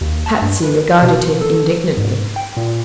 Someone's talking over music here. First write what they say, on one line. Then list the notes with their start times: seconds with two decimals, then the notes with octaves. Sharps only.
Patsy regarded him indignantly.
0.01 D#2
0.26 A5
0.42 G2
0.62 B4
1.02 B2
1.41 A4
1.97 G#2
2.36 G5
2.57 A#2